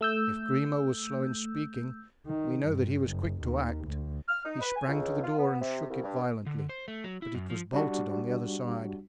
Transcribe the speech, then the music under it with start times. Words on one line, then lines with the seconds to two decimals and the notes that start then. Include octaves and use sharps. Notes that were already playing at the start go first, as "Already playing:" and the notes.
If Grimaud was slow in speaking, we know that he was quick to act; he sprang to the door and shook it violently, but it was bolted on the other side.
0.01 A3 E6 G6
2.26 D#3
2.63 G2
3.04 F#1
3.41 D#2
3.87 D2
4.27 F6
4.44 D#4
4.60 B4
4.76 G#5
4.87 C#2
5.23 F4
5.37 B3
5.60 C3
5.89 C2
6.02 G2
6.46 D3
6.69 C5
6.88 A3
7.04 F#3
7.22 E4
7.35 F#2
7.50 F3
7.73 G3 D4 F#4